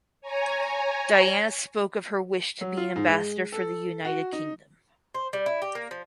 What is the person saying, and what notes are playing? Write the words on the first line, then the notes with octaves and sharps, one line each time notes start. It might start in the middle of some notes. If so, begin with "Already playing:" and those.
Diana spoke of her wish to be an ambassador for the United Kingdom.
C#5 G#5 A#5
F#3
F4
G#2
G#3
A4
F#4
D#4
C5
G3
E4
G4
A#3
F3